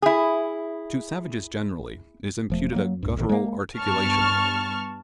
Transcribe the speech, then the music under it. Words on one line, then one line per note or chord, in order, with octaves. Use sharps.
To savages generally is imputed a guttural articulation.
E4 G#4
E1 F3 A3
F#3 G#3 A#3
C#2 G2
A1 A2 D#3
G#3 A#3
G2 B3 A5 C#6 F6